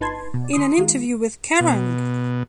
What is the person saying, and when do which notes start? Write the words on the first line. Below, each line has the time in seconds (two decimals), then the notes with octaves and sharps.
In an interview with Kerrang!
0.01 G1 D#4 B4 A5 C6 G#6
0.34 B2
0.53 D3 C6 D#6
0.78 D#3 G#3 F4
1.60 B2